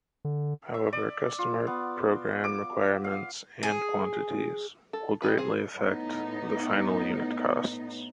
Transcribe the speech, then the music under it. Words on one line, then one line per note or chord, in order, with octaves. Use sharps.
However customer program requirements and quantities will greatly affect the final unit costs.
D3
E5
D5
F4
B3
D6
F5
G#4
A4
D#3 F3 G#4 B4
C4 G#4
A2 B3 D#4